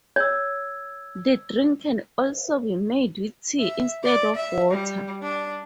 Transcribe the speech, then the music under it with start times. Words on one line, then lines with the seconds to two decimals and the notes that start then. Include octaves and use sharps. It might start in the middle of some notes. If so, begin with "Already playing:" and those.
The drink can also be made with tea instead of water.
0.16 C#5 E6 G#6
3.60 E5
4.04 D5
4.36 E5
4.71 G3
5.22 D4